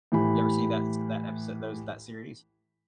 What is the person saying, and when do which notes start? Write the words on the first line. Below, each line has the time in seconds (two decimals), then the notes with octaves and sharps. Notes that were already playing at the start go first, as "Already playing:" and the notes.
You ever see that s that episode those that series?
0.12 A2 E3 G4 B5